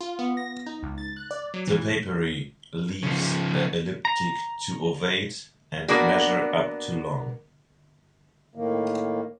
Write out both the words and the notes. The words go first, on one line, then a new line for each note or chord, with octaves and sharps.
The papery leaves are elliptic to ovate and measure up to long.
F4
B3
A#6
D#4
C#2
A6
F#6
D5
F#3
E3
C#3 F3
A#5
A#3 B3 D4 F#4
A2 D#3 A#3